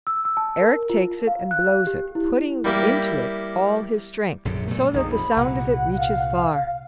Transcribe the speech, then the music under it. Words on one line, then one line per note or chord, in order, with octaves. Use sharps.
Erec takes it and blows it, putting into it all his strength, so that the sound of it reaches far.
E6
E6
A5
A#4
F4
F5
F#6
G4
E4
G3 A#3 E4 G4
A#1 F#2 D3
A#2 A3
A#1 F2 A#2 D#4
B5
C2 A#2 F#5
F5